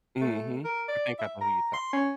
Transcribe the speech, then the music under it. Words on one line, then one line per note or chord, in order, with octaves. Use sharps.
Mhm. I think I know who you're talking about.
A3
A#4
D5
E5
A#5
C6
C#4